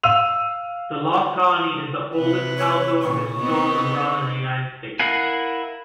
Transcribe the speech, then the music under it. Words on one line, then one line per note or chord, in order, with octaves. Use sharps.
"The Lost Colony" is the oldest outdoor historical drama in the United States.
F5 E6 D#7 F7
C3 B4
C#5
A#2 C#3 C#6
B3 C4 D#4
E4 A#4 F5 F#5 G#5